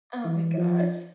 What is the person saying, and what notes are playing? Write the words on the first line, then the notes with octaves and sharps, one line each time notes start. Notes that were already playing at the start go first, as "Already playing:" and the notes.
Oh my gosh.
E3
F3